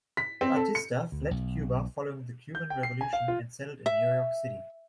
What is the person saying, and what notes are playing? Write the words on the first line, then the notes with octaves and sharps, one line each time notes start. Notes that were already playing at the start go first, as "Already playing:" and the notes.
Batista fled Cuba following the Cuban Revolution and settled in New York City.
B6
C4
A4
C#7
D2
B1
G6
G5
C7
G#5
F5
F4
E5